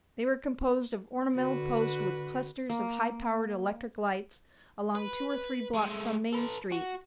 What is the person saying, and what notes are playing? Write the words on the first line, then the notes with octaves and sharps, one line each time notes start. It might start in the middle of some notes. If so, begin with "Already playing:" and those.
They were composed of ornamented posts with clusters of high-powered electric lights along two or three blocks on Main Street.
D3 F#4 B4
A#3
B4
G#3 A3
A4 B4
F#4